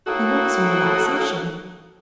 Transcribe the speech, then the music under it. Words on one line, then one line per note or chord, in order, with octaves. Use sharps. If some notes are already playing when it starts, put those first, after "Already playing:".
"We want some relaxation."
A2 A#3 D#4 F#4 A4